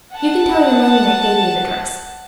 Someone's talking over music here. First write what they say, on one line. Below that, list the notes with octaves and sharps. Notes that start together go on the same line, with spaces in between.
You can tell your mammy I gave you the dress.
F#5 A5